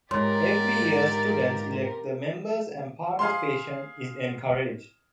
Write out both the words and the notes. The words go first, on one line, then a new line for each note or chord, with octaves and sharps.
Every year students elect the members and participation is encouraged.
G#2 F4 G4 A#4 C#5 D5 C6
G#4 F5 C6